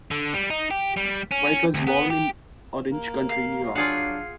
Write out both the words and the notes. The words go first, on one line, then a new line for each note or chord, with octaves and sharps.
White was born in Orange County, New York.
D3
G3
D#4
G4
G3
C#4
D2
B3
G4
A#3
F5
F#3
F#3 D4 F4 G#4 F5 F#5